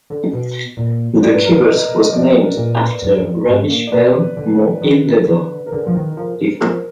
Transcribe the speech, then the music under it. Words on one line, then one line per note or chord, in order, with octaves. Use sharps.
The kibbutz was named after Rabbi Shmuel Mohilever.
D3
B2
A#2
G#2 D5
B4
A#4
B4
D#5
D#5
F3 D5
A#2
F#2
F2
G#2
A#2
D5
B2 B4
D3
D#3
D3
A#4
D3 G#4
F3
D#3
F3 A#4
F3 A#4